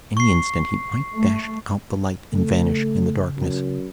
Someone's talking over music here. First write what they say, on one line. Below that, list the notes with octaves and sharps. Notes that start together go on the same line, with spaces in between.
Any instant he might dash out the light and vanish in the darkness.
C#6 C7
A3
C#3 A3
F#2